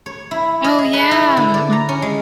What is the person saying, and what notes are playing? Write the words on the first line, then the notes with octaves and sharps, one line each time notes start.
Oh, yeah, m
C#5
E4
D#5
G#4
B4
E4
D3
D5
A#5
C#4
G#3